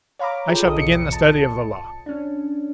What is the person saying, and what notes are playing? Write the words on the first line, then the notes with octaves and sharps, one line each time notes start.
I shall begin the study of the law.
C#5 F5 A#5 B5 D6
F4 G#4 A4 G5
B1 A4 D#5 D#6
B1 E2 G#2 B2 C#7
A5
C#4 D4